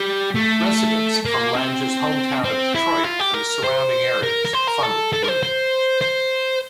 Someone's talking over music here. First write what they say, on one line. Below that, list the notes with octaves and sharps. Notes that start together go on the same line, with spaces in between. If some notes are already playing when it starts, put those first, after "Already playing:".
Residents from Lange's hometown of Detroit and the surrounding areas funded the room.
Already playing: G3
A3
A#3
C4
C4
E4
F4
G4
A#4
C5
A#4
A#4
C5
A#4
A4
A4
A#4
C5
C5
C5